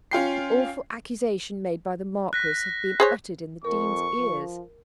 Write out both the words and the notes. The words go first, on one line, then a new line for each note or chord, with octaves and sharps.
The awful accusation made by the Marquis had been uttered in the Dean's ears.
C#4 F4 G5 C7
F#6 A#6 B6
G#4 C5 C#5
F2 A#4 C#6
F3